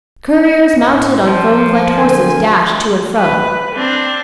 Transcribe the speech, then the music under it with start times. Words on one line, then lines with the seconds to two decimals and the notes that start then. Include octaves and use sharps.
Couriers mounted on foam-flecked horses dashed to and fro.
0.80 A2
1.22 F3
1.96 D3 A#4 G#5
3.17 B4
3.75 C4 D4